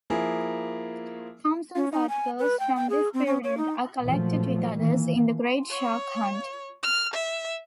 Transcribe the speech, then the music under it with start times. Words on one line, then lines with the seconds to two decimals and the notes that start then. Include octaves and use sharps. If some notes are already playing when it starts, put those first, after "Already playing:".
Thompson's articles from this period are collected with others in "The Great Shark Hunt".
0.10 F3 A#3 E4 G#4
1.76 C#4
1.92 D#4
2.09 G#5
2.39 B4
2.60 G5
2.76 G5
2.90 G#4
3.14 C4
3.26 C#4
3.44 C#5
3.57 D#4
4.02 A#2 F3 F#3 A3
4.75 D#3 E3 A#3
5.70 C#5
6.83 F6
7.14 E5